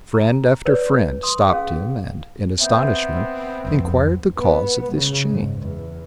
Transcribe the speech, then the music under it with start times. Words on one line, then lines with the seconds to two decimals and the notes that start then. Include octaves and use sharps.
Friend after friend stopped him, and, in astonishment, inquired the cause of this change.
0.14 A#5
0.66 B4 C#5 D5
1.23 C6 D#6
1.49 C#4 G#4 F5
2.60 B3 C4 E5 G6
3.65 C2 F2
4.38 B3
4.93 C#3
5.28 G#2
5.62 E2